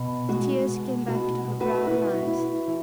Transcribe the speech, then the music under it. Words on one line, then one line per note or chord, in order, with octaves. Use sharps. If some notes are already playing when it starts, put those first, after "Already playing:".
The tears came back to her brown eyes.
Already playing: B2
G#3 F#4
B2
B2 F#4
B2
F#4 B4
E4 F#4 B4
E4
E3